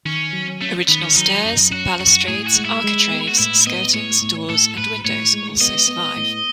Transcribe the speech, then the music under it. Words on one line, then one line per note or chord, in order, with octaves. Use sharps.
Original stairs, balustrades, architraves, skirtings, doors and windows also survive.
D#3 C#4
F#3
A3 C#4
D#3 B3
C#4
F#3 D#4
F#2
C#4 F#4
F#2 F#4
A2 G#4
F#4
G#3
E4
G#3
B3
F#4
A2 E4
B3 D#5
A2 C#5
A2
A2 A4
A2 B4
A2 C#5
G#3
B3 D#5
B3
A2